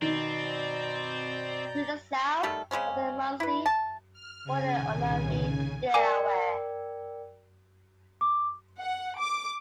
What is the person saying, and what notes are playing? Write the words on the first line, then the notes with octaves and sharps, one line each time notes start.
To the south of the Munsee were the Unami Delaware.
B2 D#3 C4 D5 A#5 G6
D#3 G3 A3 A4
C#3 G#3 C4 C#4
E4 B4
A5
F6
C#3 G#5
C2 A#2 D#3
A#4 D5 G5 G#5 D6
D6
F#5
D6